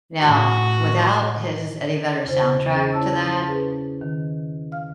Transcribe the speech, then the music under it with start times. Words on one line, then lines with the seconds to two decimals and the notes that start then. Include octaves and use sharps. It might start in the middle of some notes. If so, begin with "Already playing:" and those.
Now, without his Eddie Vedder soundtrack to that,
0.21 A2 F#4
2.25 E2 C#3 C5
2.72 C#4 G#4
2.93 E4 C#5 A5 E6
3.47 C#4 G#4 B4
4.01 D#3
4.72 F5 F6